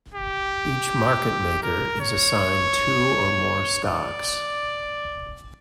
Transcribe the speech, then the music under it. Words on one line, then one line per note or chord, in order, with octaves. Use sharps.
Each market maker is assigned two or more stocks.
G4
A#4
C#5
D5